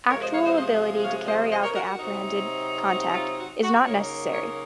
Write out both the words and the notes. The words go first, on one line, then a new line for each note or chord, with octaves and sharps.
Actual ability to carry out the apprehended contact is not necessary.
C3 F3 G#3 A#4 C#5
C5 D#5
C#5 F5
C5 D#5
C5 D#5
C#5 F5
C5 D#5
C5 D#5
A#4 C#5
F#4 A#4
F#4
C3 F#3 C4 D#4
F#4
F4
F#4
F#4
C#3 F#3 A#3 D#4 A#4 C#5
A#4 C#5